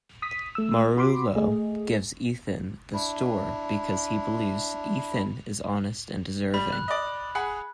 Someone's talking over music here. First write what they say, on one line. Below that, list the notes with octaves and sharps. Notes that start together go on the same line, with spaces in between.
Marullo gives Ethan the store because he believes Ethan is honest and deserving.
D#6 B6
A3 E6
F#4 B5 C6 D6
A3 G#4 D#5
D4 E4
G3 B5
F#6
D5 D#5
G#4 F#5 B5